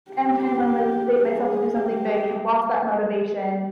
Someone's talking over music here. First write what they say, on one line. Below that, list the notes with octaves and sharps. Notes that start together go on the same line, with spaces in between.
am trying to motim motivate myself to do something big, have lost that motivation,
G4
G#4
G4